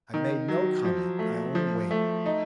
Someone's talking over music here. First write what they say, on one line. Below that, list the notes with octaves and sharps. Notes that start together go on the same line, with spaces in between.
I made no comment; I only waited.
D#3
F#3
F3
A3
F3
A3
D#4